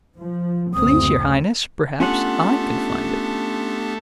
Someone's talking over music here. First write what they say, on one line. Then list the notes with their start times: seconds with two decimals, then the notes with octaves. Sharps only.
"Please, Your Highness, perhaps I can find it."
0.19 F3
0.74 F#1 D2 C4 D#6
2.00 A3 B3 C#4 D4 F4 G4 F#5